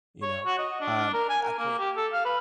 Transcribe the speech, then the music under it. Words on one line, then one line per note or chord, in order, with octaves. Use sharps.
you know? Um, I can't
C#5
F#4
D#5
D4
A#4
G#5
A#4
A#3
G4
A4
F5
B4